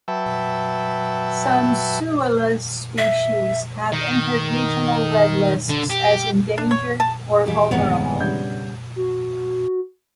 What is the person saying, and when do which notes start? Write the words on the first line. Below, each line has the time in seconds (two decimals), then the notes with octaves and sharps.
Some "Suillus" species have entered regional red lists as endangered or vulnerable.
0.08 F#3 B4 E5 G5 A5
2.98 E5
3.92 D#3
5.69 D3
5.90 G4
6.58 D4
6.71 C#5
7.00 A5
7.46 D#2 E3 G4 G#4 D#5 G#5
7.71 F1 C2 G2 D#3 E3 G#3 B3 C#5
8.20 C#3 G3 D4 G6 G#6
8.96 F#4